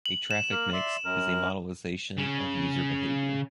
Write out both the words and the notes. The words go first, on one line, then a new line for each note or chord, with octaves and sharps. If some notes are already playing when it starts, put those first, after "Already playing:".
A traffic mix is a modelisation of user behaviour.
F#7
E7
A#3 A#4
D5 E5 C6
F#2 A#4
C#3 C#4